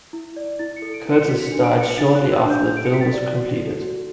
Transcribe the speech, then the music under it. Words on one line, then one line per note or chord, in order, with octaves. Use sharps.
Curtiz died shortly after the film was completed.
E4
D5
E4 A6
C#7
A4
D7
E4
C#7
F#4 B6
C#7
D4
D7
B4
C#7
D4 A6
F#6
F#4
E6
D4
G6
A4 G6
D7
C#7
F#4 B6
A6
D5
F#4
A4
F#4